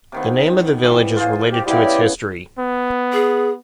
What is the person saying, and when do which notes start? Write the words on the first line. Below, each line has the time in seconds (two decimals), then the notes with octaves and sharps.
The name of the village is related to its history.
0.12 C3 D#3 B3
0.83 E3 G3
1.16 F4 G#4 C5
1.52 G4
1.67 C#3 E3 B3 E4 G4 D5
2.59 B3
3.13 G#4